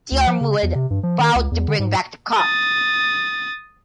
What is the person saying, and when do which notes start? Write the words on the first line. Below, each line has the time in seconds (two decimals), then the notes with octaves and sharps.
Diarmuid vowed to bring back the cup.
0.11 D2
0.27 F3
0.41 C#3
0.63 E2
0.75 C3
0.90 G2
1.03 F3
1.19 D#3
1.35 C#2
1.51 E2
1.68 D3
1.79 G#2
2.36 D#6 A6